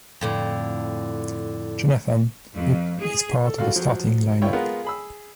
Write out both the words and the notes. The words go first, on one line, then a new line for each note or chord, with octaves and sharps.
Jonathan is part of the starting lineup.
F2 A2 D3
F2
G#4
A4
G3 F4 F#4 A4 F5
F3 F#3
E4 F4 C#5 G5
G#3 B3 F4 A#4 F#5
G#4 B5 E6